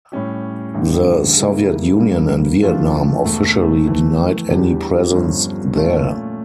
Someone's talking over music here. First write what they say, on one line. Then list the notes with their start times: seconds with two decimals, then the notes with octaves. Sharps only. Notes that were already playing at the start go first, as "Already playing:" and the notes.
The Soviet Union and Vietnam officially denied any presence there.
0.12 A2 G3 C#4 G4
0.75 A1 G2 D3
1.37 C#3 G3 A#3 E4
1.99 G2 D3 G3 A#3
2.62 F2 E3 A3 D4 F4
3.24 E1 D2 D3 A3
3.87 F2 E3 A3
4.49 E2 E3 G3 D4 G4
5.12 G1 G2 D3 F3 C#4
5.74 A#2 A3 C#4 F4 C#5